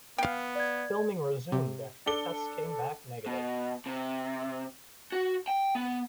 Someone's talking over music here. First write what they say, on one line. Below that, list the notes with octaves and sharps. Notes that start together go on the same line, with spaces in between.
Filming resumed after the tests came back negative.
B3 F5 G5
D5 G#6
C3
D4 A4 D6 G7
B2
C3
F#4
G5
B3